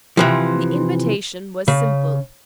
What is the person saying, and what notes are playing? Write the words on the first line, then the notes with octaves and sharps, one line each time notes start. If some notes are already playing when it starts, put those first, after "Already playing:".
The invitation was simple.
C3 E3 F3
C#3